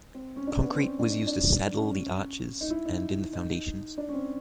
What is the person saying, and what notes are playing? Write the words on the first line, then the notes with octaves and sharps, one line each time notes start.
Concrete was used to 'saddle' the arches and in the foundations.
C4
C#4
D4
B3
C4
C#4
D4
D#4
D4
C#4
C#4
D#4
E4
D#4
D#4
D4
C#4
C4